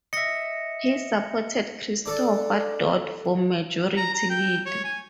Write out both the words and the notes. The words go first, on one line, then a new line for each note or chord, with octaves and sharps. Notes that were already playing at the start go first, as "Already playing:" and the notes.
He supported Christopher Dodd for majority leader.
D#5 E5 A#6 C#7
D4 A4 D5
A#5
A#5
G5
C#5
G#5